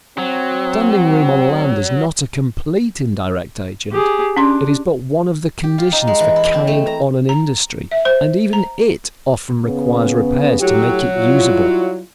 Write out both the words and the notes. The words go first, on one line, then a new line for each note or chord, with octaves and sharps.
Standing-room on land is not a complete indirect agent; it is but one of the conditions for carrying on an industry, and even it often requires repairs to make it usable.
F#3 C4
G4 G#4
C#4 D4 C6
G4
F4
D#4
G#3
E3
E4
C4
A3
A#5
A#5
E5
C5
A#5
C#3 B3
F#3 A3 E4 G4
G3 E4 F4